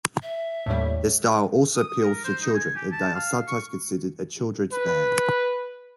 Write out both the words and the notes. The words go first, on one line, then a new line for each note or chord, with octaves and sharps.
Their style also appeals to children, and they are sometimes considered a children's band.
E5
D#2 A2 D3 G3 C#5
D#6
D#6
A#4
C5
D#4
G#5
G4
A5
F5
C#6
B4